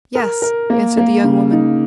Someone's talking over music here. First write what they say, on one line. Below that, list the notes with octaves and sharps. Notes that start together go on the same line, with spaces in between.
"Yes," answered the young woman.
A#4
A#4
A#3
A#3
C#3
D#4